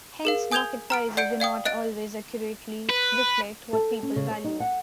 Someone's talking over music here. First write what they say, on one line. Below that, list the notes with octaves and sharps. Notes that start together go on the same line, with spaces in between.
Hence market prices do not always accurately reflect what people value.
G#4 A#4 F5
G#5 D#6 G6 G#6 F7 G7
A#5 F6 D7
D5 F#5 G6 C#7 D7
D5 F5 G5 D#6
D#5 F#6 A6 D7
B4
A4
C#4
C#3
C#5
D#4
F#5